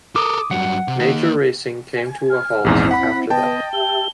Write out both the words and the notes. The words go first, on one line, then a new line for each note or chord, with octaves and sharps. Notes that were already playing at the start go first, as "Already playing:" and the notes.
Major racing came to a halt after that.
A4 A#4 D6 D#6
G2 F#3 F#5
C3
D#3 A#3
G#5
F6
A#1 E2 G#2 C4 E4
F#5 B5 B6
B3 B4 D#5 G5 A5
G4 E5 G7